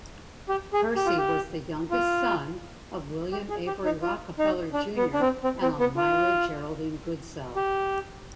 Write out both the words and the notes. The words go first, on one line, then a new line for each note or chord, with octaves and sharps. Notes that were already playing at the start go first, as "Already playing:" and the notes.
Percy was the youngest son of William Avery Rockefeller Junior and Almira Geraldine Goodsell.
G4
G#4
G4
F4
G4
F4
G4
G#4
G4
D#4
F4
D#4
D4
B3
D4
C4
C4
C4
B3
F4
G4